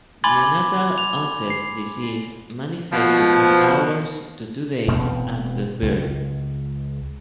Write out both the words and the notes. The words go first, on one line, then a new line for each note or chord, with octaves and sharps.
Neonatal-onset disease manifests within hours to two days after birth.
G#5 B5 C6 D6 G#6 A6
F7
C7
B2 F3
E1 B2 B3 C4
C#2